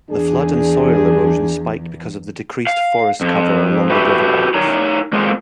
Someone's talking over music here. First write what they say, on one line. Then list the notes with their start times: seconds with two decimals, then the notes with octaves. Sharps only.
The floods and soil erosion spiked because of the decreased forest cover along riverbanks.
0.10 E2 D4 G#4
2.67 F5
3.21 F2
3.90 F#4 G4 A4 B4 E5
4.54 D#4 A#4 C#5 A#5
5.13 G#3 A#3 C4 F4 G#4